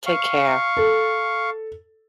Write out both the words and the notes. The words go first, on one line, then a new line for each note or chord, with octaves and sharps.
Take care.
F5 C#6
A4